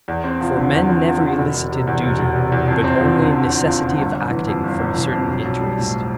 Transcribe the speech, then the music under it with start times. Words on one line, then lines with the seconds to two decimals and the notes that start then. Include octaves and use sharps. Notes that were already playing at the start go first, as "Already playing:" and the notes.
For men never elicited duty, but only a necessity of acting from a certain interest.
0.08 E2
0.24 C4
0.41 F3
0.56 D3
0.72 E2
0.89 C4
1.06 F3
1.22 D3
1.38 E1
1.54 E1
1.71 C3
1.87 E2
2.04 E1
2.19 E1
2.36 C3
2.52 E2
2.68 F2
2.84 C4
3.01 F3
3.17 D3
3.33 F2
3.49 C4
3.66 F3
3.82 D3
3.99 G1
4.15 G1
4.31 E3
4.48 F2
4.64 G1
4.79 G1
4.96 E3
5.12 F2
5.28 B1
5.45 B1
5.61 G3
5.78 A2